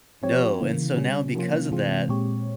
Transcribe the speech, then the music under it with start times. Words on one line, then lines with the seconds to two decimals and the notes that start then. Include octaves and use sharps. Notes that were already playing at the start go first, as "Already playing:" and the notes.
No, and so now because of that,
0.23 F3 C4 G4 C#5
0.60 C#3 E3 A#3
0.97 C#3 G3 C#4
1.34 C3 F3 A#3 C#4 F4
1.71 C3 E3 G#3 C4 F4
2.09 A#2 G#3 C4 G4 C#5